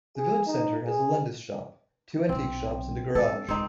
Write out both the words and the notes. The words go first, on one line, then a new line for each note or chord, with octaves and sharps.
The village centre has a Londis shop, two antiques shops and a garage.
G#4
D#4
G#4
B1 F#3 C4
B3 A4
C#2 G#3 C4 D#4